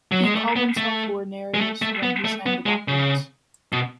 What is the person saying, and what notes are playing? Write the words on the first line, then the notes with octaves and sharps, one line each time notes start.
He called himself Wernerius when he signed documents.
F#3
G#3
A3
B3
A3
G#3
A3
A3
B3
A3
B3
G#3
C#3
B2